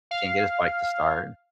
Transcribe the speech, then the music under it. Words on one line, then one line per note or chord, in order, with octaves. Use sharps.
he can't get his bike to start.
F5